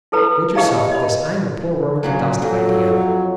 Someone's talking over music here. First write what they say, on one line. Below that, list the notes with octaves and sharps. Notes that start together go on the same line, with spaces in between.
Rid yourself of this I-am-a-poor-worm-in-the-dust idea.
E4 A4 B4 A#5
D#4 E4 G4 D#5 F5 A#5
D#5 B5
G#2 C#3 F#3
F2 F#3 A4